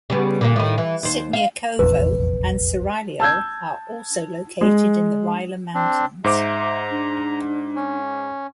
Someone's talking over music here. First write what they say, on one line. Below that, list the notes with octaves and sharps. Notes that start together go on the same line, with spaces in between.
Sitniakovo and Saragiol are also located in the Rila Mountains.
C#3 G3 B3
A#2 D3 A#3
A2 D#3
E3
D#2 C5
F5
F1 A#1 E2 B4
A5 E6 G6 G#6
G#3
C4 D4
G#2 C5 E5 A#5 D6
D4
C#4